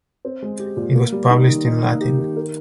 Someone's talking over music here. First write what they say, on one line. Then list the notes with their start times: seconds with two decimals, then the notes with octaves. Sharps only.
It was published in Latin.
0.25 C4
0.42 G#3
0.60 G4
0.77 A#2
0.95 A#3
1.12 G3
1.30 D#4
1.48 D#3
1.65 D#4
1.84 A#3
2.01 G4
2.19 D#3
2.36 A#4